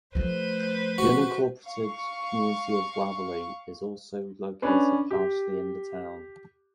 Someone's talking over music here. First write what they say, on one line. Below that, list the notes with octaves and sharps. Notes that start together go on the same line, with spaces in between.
The unincorporated community of Waverly is also located partially in the town.
F3 A3 B4 C5
F#4
F5 C#6
C#4 D4 B4
G4